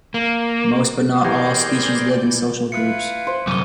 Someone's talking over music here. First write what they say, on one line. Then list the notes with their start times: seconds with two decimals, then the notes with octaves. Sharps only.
Most, but not all, species live in social groups.
0.14 A#3
1.24 E3 G4 G#4 A#4 C5 D5 A#5 G6
2.72 E4 F4 B4 C#7
3.27 C5
3.47 C2 F#2 D6 D#7 G7